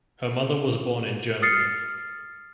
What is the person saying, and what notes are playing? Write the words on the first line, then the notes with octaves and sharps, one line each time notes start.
Her mother was born in Germany.
D#6 F6 A6 C7 C#7